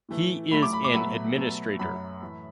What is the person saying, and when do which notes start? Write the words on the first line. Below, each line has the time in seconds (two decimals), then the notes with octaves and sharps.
He is an administrator.
0.09 A2 E3 A3
0.51 A2 F#3 A3 B5
0.62 D6
0.73 B5
0.84 D6
0.94 B2 F#3 A3 B5
1.37 B2 F#3 A3
1.79 F#2 F#3 A3 B5
2.22 A2 E3 A3